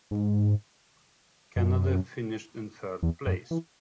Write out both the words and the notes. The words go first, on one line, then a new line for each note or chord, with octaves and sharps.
Canada finished in third place.
G#2
F#2
E2
F#2
E3